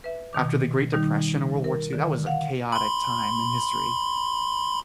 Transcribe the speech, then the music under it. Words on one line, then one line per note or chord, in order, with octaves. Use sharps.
after the Great Depression and World War II, that was a chaotic time in history,
B4 E5
B2 D#3 D6
D#3 G3 D#4
A#4
D3 D#3
F5 F#5
B5 C6